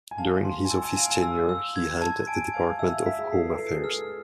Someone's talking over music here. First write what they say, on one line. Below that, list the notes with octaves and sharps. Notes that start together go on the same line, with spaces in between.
During his office tenure he held the Department of Home Affairs.
G#5
F5 A5
C6
G#5
A5 E6
G#5
F5 D7
G#5
F5 E6
E6
G#6
A5
G#5 D7
F5 G#6
E5 E6
F5
E5 B6
G#4
A4 C7
B4
A4 C7
G#4
A4 F6